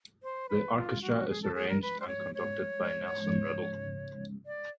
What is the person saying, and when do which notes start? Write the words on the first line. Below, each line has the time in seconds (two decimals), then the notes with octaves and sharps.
The orchestra is arranged and conducted by Nelson Riddle.
0.23 C5
0.49 B4
0.75 F4
1.02 F#4
1.29 G#4
1.43 A4
1.55 G#4
1.69 A#4
1.82 B4
2.00 C5
2.07 C#5
2.34 C#5
4.46 D5